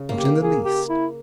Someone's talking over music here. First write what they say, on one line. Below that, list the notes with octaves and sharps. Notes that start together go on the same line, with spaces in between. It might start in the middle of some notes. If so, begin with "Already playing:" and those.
"Not in the least."
Already playing: C#3
A#3
G4
A#3
G#4
G4
E4